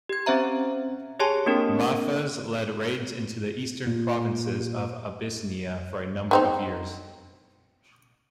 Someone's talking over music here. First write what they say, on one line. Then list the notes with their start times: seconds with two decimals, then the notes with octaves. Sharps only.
Mahfuz led raids into the eastern provinces of Abyssinia for a number of years.
0.09 G4 G#6
0.26 C4 C#4 C5 E5 A#5
1.19 G4 G#4 C#5 G#5 A5 C6
1.46 A#3 C4 D4 A#4
3.87 A#2
6.31 B3 C4 D#4